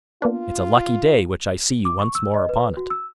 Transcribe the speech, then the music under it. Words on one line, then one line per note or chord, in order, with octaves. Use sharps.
"It's a lucky day which I see you once more upon it."
A#3 B3 D4 F4
D6
C#6
E6
D#5
B4
F#4
E6